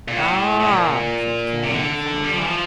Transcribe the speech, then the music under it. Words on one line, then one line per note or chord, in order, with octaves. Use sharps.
"Ah," said Carey profoundly.
A#2
A2
A2
A#2
C3
D3
G3
F3
E3
F3